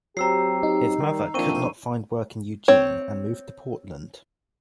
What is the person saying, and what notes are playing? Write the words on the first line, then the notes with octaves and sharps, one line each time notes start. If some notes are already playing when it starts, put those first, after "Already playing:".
His mother could not find work in Eugene and moved to Portland.
F#3 C4 G4 A#5 E6 C7
D#4
D#3 G3
D2 F3 A#3 C4 D4 C#6 D#7
C4 C#5